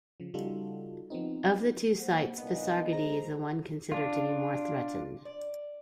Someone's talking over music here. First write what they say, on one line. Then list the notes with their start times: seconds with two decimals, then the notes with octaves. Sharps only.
Of the two sites, Pasargadae is the one considered to be more threatened.
0.20 C#3 F3
0.34 C#3 G3 D#4 F4 F#4 A4
1.10 F3 B3 C4 D#4
1.99 A#3 C5 F#5
2.38 C2 A#2 B3 D#4 D#5
2.92 F#1 G#3 G#4 C5 A#5
3.92 D4 F4
5.25 D5